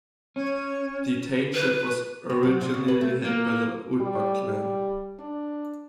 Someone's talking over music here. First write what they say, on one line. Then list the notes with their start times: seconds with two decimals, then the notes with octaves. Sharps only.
The Thainship was originally held by the Oldbuck Clan.
0.36 C#4 C#5
1.54 B4
2.30 C3
2.43 F#3
2.61 C3
2.74 C#3
2.88 B4
3.01 A3
3.25 A#3
4.00 G3
4.45 G3
5.19 D4